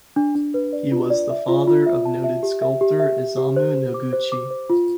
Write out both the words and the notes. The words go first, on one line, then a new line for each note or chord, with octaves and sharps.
He was the father of noted sculptor Isamu Noguchi.
D4
D4
B4
D5
F4
D5
E5
F4
F4
E5
A5
E5
G4
E5
G4
E5
E5
G4
C5
C5
D6
C5
D6
C5
F4